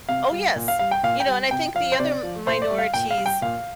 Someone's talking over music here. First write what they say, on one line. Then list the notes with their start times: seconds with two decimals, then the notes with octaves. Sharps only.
Oh, yes, you know, and I think the other m minorities
0.09 C3 F5
0.32 G3
0.56 A#2
0.68 F5
0.79 G3 F5
0.91 G5
1.03 A#2 F5
1.20 G5
1.27 G3
1.51 C3 G5
1.75 F3 F5
1.92 C5
1.99 C3 D5
2.23 F3
2.47 A#2 C5
2.62 D5
2.70 G3
2.78 F5
2.94 A#2 G5
3.11 F5
3.18 G3
3.26 G5
3.42 A#2 F5